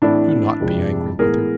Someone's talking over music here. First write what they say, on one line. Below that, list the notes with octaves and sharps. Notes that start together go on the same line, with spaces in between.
'Do not be angry with her.
A2 E3 A3 C4 D4 E4
F2 C3 F3 G#3
A2 E3 G#3 B3 G#4 A#4